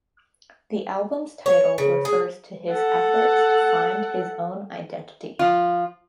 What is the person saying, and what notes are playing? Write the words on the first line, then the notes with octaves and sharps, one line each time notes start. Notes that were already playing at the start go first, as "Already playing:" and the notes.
The album's title refers to his efforts to find his own identity.
C#5
C#3
G#4
A4 F#5
F3 F4